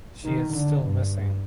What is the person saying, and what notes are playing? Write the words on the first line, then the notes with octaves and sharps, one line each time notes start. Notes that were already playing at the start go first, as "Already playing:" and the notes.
She is still missing.
D#3
D3
G2